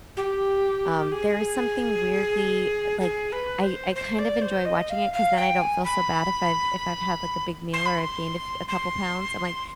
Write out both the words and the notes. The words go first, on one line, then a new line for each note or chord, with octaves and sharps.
um, there is something weirdly, like, I I kind of enjoy watching it 'cause then I don't feel so bad if I've if I've had, like, a big meal or I've gained a f a couple pounds, I'm like,
G4
G#4
G#4
B4
C5
C5
D5
C5
D#5
F5
F5
G5
G#5
B5
C6
B5
C6
C6